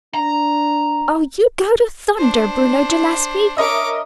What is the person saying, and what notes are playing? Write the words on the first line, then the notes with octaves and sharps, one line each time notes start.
"Oh, you go to thunder, Bruno Gillespie!"
D4 A#5
D4 C5
A#4 C#5 D#5 E5 D6